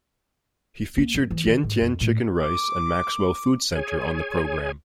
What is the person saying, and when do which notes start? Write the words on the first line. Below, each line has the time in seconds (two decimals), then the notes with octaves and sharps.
He featured Tian Tian Chicken Rice and Maxwell Food Centre on the programme.
0.97 A#3
1.14 F#2
1.31 E3
1.46 D#3
1.64 G#2
1.81 F2
2.01 A2
2.42 D6
3.75 G#4 C#5 G#5